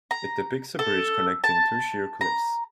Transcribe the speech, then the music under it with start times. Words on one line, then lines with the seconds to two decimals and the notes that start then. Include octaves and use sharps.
It depicts a bridge connecting two sheer cliffs.
0.11 A#5
0.79 A4
1.44 A5
2.21 A#5